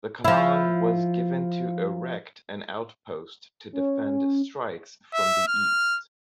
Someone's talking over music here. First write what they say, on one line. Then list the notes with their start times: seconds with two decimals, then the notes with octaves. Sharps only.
The command was given to erect an outpost to defend strikes from the east.
0.25 F3 E4
3.73 C#4
5.13 E5
5.48 F6